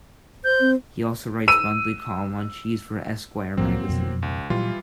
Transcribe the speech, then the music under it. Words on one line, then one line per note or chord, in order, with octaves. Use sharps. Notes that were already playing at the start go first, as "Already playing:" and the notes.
He also writes a monthly column on cheese for Esquire Magazine.
C5 G6
C4
E6 D#7
C2 A2 F3 F#3 A#3 C4
F2 B2
C#2
A#2 E3 F#3 G3 F4